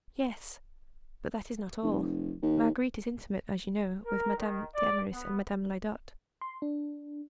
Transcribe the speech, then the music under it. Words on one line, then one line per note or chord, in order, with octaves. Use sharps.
"Yes, but that is not all: Marguerite is intimate, as you know, with Madame d'Eymeris and Madame Lyodot."
F1
D#2
A#4
D#3
D5
B3
C6
D4